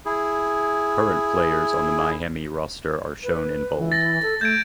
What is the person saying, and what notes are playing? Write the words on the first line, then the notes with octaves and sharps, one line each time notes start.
Current players on the Miami roster are shown in bold.
E4 G#4
B4
E3
A6 A#6
A4
A3 G6 G#6 D7